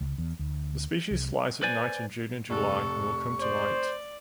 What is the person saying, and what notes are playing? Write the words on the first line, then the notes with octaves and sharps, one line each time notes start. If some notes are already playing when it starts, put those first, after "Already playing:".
The species flies at night in June and July and will come to light.
C#2
E2
D2
C2
B4 C5 D5 G#5
F1 A4 C#6
C5 D5